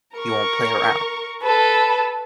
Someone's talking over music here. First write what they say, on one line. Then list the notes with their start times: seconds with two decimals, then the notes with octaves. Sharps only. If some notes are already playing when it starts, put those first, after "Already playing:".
you won't play around.
0.15 A#4 C#6
1.42 A4 B4